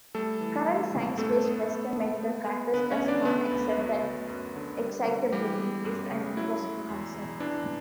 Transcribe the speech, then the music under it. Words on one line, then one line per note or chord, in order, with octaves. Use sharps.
Current science-based Western medical practice does not accept that excitability is an interesting concept.
G3 A3 A4
E3
G3
A2
F#2 A3 A4
B3
B3
B3
B3
B3
D3 B3 B4
C#4 C#5
E2
D4 D5
D3 B3 B4
D2
F#3
D2
F#2
D3
G3
D3
E3 G3 G4
B3
F#2
C#3
F#3 E4
F#3
E2
E2
E3 D4